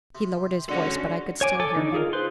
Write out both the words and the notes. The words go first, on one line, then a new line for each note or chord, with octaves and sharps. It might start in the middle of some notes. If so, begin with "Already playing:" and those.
He lowered his voice; but I could still hear him.
C3
G#3 C#4 D4 F#4 A4 F#5
C#5 G#5 D6
A4 C#5 G#5 D6
D3 D#4
F4 G#4 A#4
B4 C5 C6